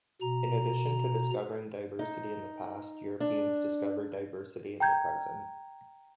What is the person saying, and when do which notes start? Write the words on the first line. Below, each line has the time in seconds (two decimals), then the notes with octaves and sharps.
In addition to discovering diversity in the past, Europeans discovered diversity in the present.
0.21 B2 A#5
1.99 D#4
3.20 D4
4.80 G5 A#5 G6 G#6